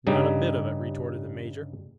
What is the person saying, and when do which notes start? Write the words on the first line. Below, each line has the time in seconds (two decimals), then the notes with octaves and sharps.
"Not a bit of it," retorted the major.
0.07 G2 C#3 G3 D#4